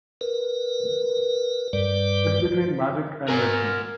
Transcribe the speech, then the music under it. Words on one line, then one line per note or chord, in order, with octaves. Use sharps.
It's between magic and medicine.
A#4 B4
G2 G3 B4 D5
A#4 G#5